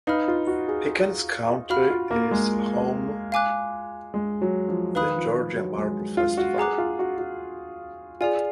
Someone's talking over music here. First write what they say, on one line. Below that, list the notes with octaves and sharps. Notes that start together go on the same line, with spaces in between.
Pickens County is home the Georgia Marble Festival.
D#4 B4 F5 B5 F6
F4
F#4
G#4
F#4 F5 B5 F6
F4
A#3
G#3
F5 G#5 D6 F#6
G#3
F#3
F3
D#3 B4 F5 B5 D#6 F#6
F3
F3
F#3
G#3
F4
F#4
G#4 F#5 A#5 D6 F#6
F4
F#4
F#4
F4 G#4 D5 G#5